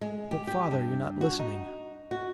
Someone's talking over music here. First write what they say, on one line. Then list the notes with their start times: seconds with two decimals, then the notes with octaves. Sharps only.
'But, father, you're not listening.
0.01 G#3
0.31 G4
0.47 G4
0.71 G2
1.21 F#4
1.39 D#4
2.11 F#4